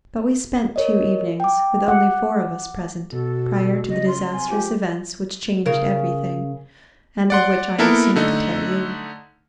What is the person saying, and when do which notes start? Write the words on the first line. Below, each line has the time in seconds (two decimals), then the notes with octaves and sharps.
But we spent two evenings, with only four of us present, prior to the disastrous events which changed everything, and of which I am soon to tell you.
0.76 A#4 C#5 D#5
1.40 G5 D6
1.88 F#5 D6
3.12 B2 F#4 A4
3.89 C#3 D#5
4.08 C6
4.33 C3 G#5
4.50 F3 G4
5.66 C#3 A#4
7.30 D5 F#5 C6
7.78 A#3 B3 E4 A4 A#4
8.16 D3 A3 D#4